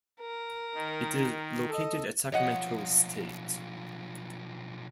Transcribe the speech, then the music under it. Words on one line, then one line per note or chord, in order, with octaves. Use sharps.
It is located at Sacramento State.
A#4
D#3 D#4
A4 D#5
B1 F3 C#5 D#5 F#5